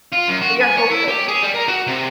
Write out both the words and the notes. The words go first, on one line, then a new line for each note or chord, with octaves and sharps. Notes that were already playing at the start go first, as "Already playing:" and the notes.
So you're hoping
F4
F#2
F#4
G#5
C#5
E4
G4
G#4
G3
A#4
F#4
C3